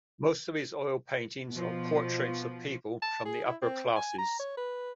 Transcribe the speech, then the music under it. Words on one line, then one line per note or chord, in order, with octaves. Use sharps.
Most of his oil paintings are portraits of people from the upper classes.
B2 F3
A5
G#4
E4
C4
G#5
A#5
C#5
B4